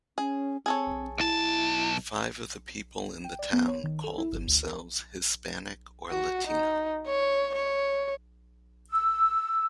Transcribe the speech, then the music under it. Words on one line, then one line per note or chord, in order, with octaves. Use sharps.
Five of the people in the town call themselves Hispanic or Latino.
C#4 G#4
C4 G#4 A4 C#5
B1 E4 A5
G5
D5
B3
C#5
D#3
A4
E4
G1
D2
A#4
F#4
D#4
C#5
C#5
E6